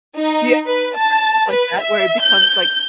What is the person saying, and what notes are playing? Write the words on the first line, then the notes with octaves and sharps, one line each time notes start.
Do you have some friendship like that, where it becomes, like,
D#4
B4
A5
B4
E5
G6
G6